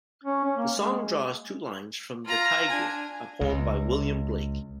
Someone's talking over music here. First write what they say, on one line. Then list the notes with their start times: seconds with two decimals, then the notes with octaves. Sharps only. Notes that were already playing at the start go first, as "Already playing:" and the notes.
The song draws two lines from The Tyger, a poem by William Blake.
0.24 C#4
0.44 C#4
0.57 A#3
0.77 G#3
2.25 F4 A#5
2.69 D4 G#5
3.41 C#2